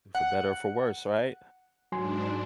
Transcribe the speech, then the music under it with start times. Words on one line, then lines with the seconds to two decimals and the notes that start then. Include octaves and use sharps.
For better or for worse, right.
0.15 F#5
1.92 G#2 F#3 D4 G#5 C6